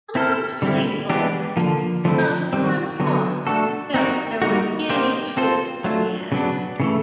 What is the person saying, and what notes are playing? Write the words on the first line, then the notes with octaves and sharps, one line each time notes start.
Among swing voters, about one-fourth felt there was any truth to the ads.
C4 E4 A4 C5
D3 G3 C4 E4
E3 G#3 B3 D4 G4
D3 F3 A#3
D3 F3 A3 C4 E4
D#3 G3 C4
D3 F#3 B3
A3 D4 F#4 A4
C4 D#4 F#4 A#4
G3 A#3 D#4 F#4
A#3 D#4 G4 C5
C4 F4 A4 C5
F#3 A3 D4 F4
C#3 F#3 B3 D4
C#3 E3 A3